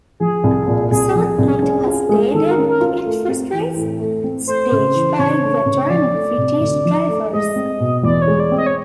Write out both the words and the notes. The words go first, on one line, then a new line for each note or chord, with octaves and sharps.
Soon, it hosted its first race, staged by veteran British drivers.
F3 G#4
C2
A#2
C2 G#4
F3
C2
C#4
F4
G#3
D#3 A4
A#4
C#4
A#4
F4
A3
C4
E3
A2
A3
C4
A3 C5
C#3
E3
C#3 C#5
A3
C#3
C#5
F3 D5
A3
C3
D2
F3
A3
G#3 D#5
C4
B2
E2 D5
C#5
G#3
D5
C4
D#5
C#5